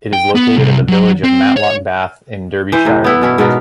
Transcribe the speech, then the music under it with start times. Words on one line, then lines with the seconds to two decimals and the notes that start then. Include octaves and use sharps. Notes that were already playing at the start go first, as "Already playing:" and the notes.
It is located in the village of Matlock Bath in Derbyshire, England.
0.13 G5
0.35 B3
0.57 C2
0.88 F#3
1.24 C4
1.56 C#5
2.72 E3 C5
2.85 A2 C3
3.04 B3 E4
3.21 B2 C#4 E4
3.38 G#2 B2 B3 A#4